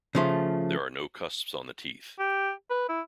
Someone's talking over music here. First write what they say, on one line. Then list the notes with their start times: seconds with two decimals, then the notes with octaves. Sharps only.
There are no cusps on the teeth.
0.15 C#3 F3 A3
2.19 G4
2.70 B4
2.89 E4